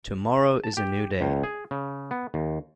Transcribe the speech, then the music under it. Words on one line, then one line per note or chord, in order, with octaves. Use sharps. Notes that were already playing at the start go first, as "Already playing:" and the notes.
Tomorrow is a new day.
A5
G4
C#2
G#4
C#3
B3
D#2